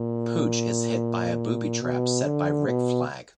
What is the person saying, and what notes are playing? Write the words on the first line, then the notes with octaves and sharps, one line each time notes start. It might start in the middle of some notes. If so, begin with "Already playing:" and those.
Pooch is hit by a booby trap set by Rick Flag.
Already playing: A#2
B2
D3
B2